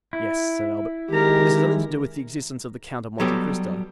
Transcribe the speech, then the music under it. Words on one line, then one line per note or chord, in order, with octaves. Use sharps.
"Yes," said Albert, "but this has nothing to do with the existence of the Count of Monte Cristo."
E4
D#3 G#3 G4 A#4
F#3 G3 B3 G4 A4